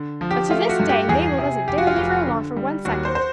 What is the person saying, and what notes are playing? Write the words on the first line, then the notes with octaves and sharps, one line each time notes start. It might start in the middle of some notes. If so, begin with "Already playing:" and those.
But to this day Mabel doesn't dare leave her alone for one second.
Already playing: D3
F3
G4
A3 F4
F#4
G2
G4
E2 G#4
C3
F1 G4
F#4
F4
F1 F#4
D3
G3
D#2 F#4
C5
C5